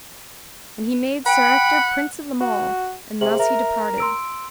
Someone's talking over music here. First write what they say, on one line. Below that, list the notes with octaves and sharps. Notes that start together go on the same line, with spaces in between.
And he made Sir Ector prince of them all, and thus he departed.
F#5 G5 B5
F#4
C3 G#4 C5 F#7
A#4 E5
C6 E6 D7